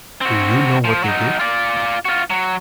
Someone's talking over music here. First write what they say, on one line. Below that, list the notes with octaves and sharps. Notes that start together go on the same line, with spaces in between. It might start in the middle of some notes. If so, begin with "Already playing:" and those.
Do you know what they did?
C4 F#4
F3
F#3 D#4
F4 D5
F4 F#4
F#3